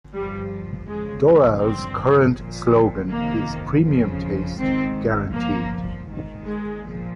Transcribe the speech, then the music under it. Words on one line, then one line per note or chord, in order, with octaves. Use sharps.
Doral's current slogan is Premium Taste, Guaranteed.
G2 F3 G3
F2 C#3 F3 G#3
G2 F3 C4
A#2 F3
F2 C3 D#3 A#3
F2 C#3 F3
G#2 D#3 C4
G2 F3 A#3
G#2 D#3
G#3
A#2 F3